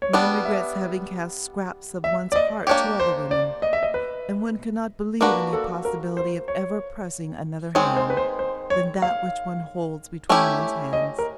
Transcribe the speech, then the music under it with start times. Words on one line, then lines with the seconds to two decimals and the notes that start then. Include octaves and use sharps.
One regrets having cast scraps of one's heart to other women, and one can not believe in the possibility of ever pressing another hand than that which one holds between one's hands.
0.02 C#5
0.13 G3 B3 D4 D5
0.45 E5
2.04 E5
2.32 D5
2.36 D#5
2.67 A#3 D4 G4 C#5
3.00 C5
3.31 D5
3.62 D#5
3.73 E5
3.83 D#5
3.94 B4
5.21 A#3 D4 F#4 A#4 B4
5.53 A4
5.85 A#4
6.17 C5
6.48 C#5
7.75 D#3 G#3 C4 C#5
7.96 C5
8.10 B4
8.17 C5
8.39 C5
8.70 C#5
9.02 F5
10.29 A3 C#4 E4 G4
10.93 D#5
11.19 A#4